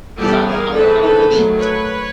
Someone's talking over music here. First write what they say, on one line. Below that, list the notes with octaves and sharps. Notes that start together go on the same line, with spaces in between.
'cause I don't I don't I don't really
E3 G3 B3 G4 A4
G#4 A#4
E3 G#3 C4 A4 B4
A4 B4
D#3 F#3 A3
B4 C#5